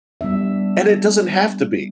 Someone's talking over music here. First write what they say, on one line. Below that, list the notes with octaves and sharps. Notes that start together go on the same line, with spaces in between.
and it doesn't have to be.
G3 B3 D4 E5